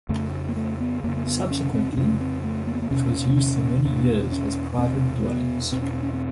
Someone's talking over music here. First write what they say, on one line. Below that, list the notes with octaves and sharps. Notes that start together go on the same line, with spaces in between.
Subsequently, it was used for many years as private dwellings.
F2 C#3 A3
A#3
A3
B3
F2 C#3 A#3
A#3
B3
C#4
C4
D4
F2 C#3 C#4
C4
A3
A#3
B3
A#3
E2 B2 C#4
C#4
E2 B2 D4
C#4
E2 B2 C4
B3
E2 B2 C4
C#4
C4
C#4
C4